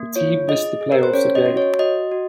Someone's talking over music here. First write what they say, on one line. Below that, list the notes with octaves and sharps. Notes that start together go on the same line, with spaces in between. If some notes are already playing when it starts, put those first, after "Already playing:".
The team missed the playoffs again.
Already playing: A#3
F4 C#5
G#4 D#5
G#4
A#4
C5
C#4 C#5
D#5
F#4
C#5
F#4 D#5
F#4